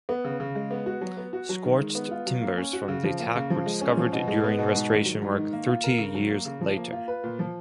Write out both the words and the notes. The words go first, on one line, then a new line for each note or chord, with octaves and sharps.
Scorched timbers from the attack were discovered during restoration work thirty years later.
B3
C#3
C#3
G#3
B3
F#4
F#3
B3
F#4
F#3
D#3
G#3
B3
F4
F#3
A#3
C#4
F#4
C#3
F3
A#3
C#3
F3
G#3
C#4
F3
B2
G#3
B3
B2
G#2
D#3
F#3
G#2
D#3
A#3
F4
A#4
C#3
F#3
A#3
C#3
F3
A#3
F4
B4
A#2
F3